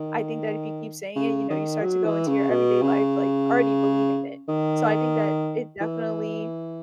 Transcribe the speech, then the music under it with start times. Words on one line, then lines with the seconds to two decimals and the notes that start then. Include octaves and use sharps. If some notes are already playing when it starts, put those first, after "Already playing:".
I think that if you keep saying it, you know, you start to go into your everyday life, like, already believing it. So I think that it definitely
Already playing: D#3
1.16 C#3
1.50 D#3
1.82 F#3
2.05 E3
2.27 C#3
2.50 B2
2.82 C#3
4.48 D#3
5.81 E3